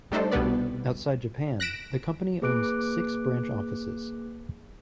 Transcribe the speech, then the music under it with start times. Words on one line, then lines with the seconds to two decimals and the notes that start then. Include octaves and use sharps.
Outside Japan, the company owns six branch offices.
0.12 G3 A3 D4 D#4 A4 C5
0.32 C2 B2 G3 B3 B4 D5
1.60 F#6 A#6 B6 D7 E7
2.42 A#3 G#4 B4 D6 F#6 D7